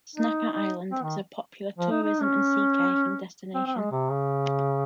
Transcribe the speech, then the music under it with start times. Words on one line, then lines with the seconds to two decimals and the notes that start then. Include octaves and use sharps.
Snapper Island is a popular tourism and sea kayaking destination.
0.16 D#4
0.53 D#4
0.91 C4
1.03 D#3
1.78 F3
1.91 D#4
2.03 D#4
2.22 C#4
3.54 C4
3.67 C4
3.79 G#3
3.92 C3
4.10 C#3